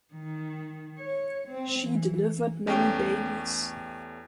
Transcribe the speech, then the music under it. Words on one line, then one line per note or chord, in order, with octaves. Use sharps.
She delivered many babies.
D#3
C#5
C4
E3
E2 A3 C#4 G4 G5